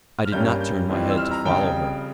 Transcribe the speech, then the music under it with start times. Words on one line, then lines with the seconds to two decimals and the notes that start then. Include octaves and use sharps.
I did not turn my head to follow her.
0.25 F6
0.32 G2 G3 A#3 C#4 G6
0.61 G6
0.89 F2 E3 G3 C4 F4
1.10 E6
1.18 F6
1.31 A#5
1.45 F2 C#3 G3 G5